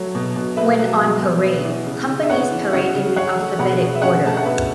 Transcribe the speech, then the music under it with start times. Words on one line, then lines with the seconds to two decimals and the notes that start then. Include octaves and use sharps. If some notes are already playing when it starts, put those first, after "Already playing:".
When on parade, companies parade in alphabetic order.
Already playing: F#3 A3 A4 C#5
0.15 B2
0.36 B2
0.57 A3 B4 E5
0.79 F#3
1.00 B2
1.21 B2
1.44 B3
1.65 E3
1.86 C#3
2.09 C#3
2.23 E5
2.30 B3 C#5 F#5
2.52 E3
2.73 C#3 C#5 F#5
2.95 C#3
3.16 C#4 C#5 F#5
3.38 A3
3.59 B2 F#5 B5
3.80 B2
3.95 E5
4.02 C#4 C#5 F#5
4.25 A3 A5
4.37 F#5
4.45 B2 B4 E5